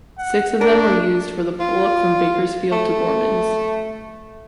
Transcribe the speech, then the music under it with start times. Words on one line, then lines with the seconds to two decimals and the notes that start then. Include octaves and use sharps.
Six of them were used for the pull up from Bakersfield to Gorman's.
0.18 F#5
0.61 D4 A#4
1.60 F4
2.72 A3